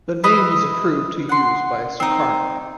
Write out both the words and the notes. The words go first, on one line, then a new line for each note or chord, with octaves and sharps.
The name was approved to use by Sukarno.
E4 B4 D#5
F#5 C6
C4 D#4